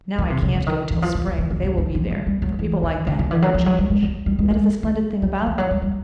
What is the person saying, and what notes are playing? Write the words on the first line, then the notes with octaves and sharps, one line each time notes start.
Now I can't go till spring, but they will be there, for people like that never change . . . that is the splendid thing about them.
D#3
C3
C#3
D3
D#3
E3
F3
E3
E3
D#3
D#3
D3
D#3
F3
G3
G3
F#3
E3
D#3
D3
D#3
E3
F#3
F3
F#3
G3
G#3
G3
G3
G#3
G#3
D#3
F#3
F3
F#3
G3
G3